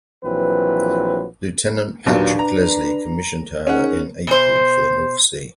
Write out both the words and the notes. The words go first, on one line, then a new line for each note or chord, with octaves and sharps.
Lieutenant Patrick Leslie commissioned her in April for the North Sea.
A#1 E3 F#3 C4 B4
D#2 A#2 F#3 D4 B4
A#5
C#4 D#4 G#4 A#4 F#5
B2 C5